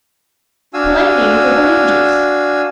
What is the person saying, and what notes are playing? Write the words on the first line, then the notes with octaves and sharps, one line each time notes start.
A polite name for balloon juice.
D4 F#4 F5 G#5 E6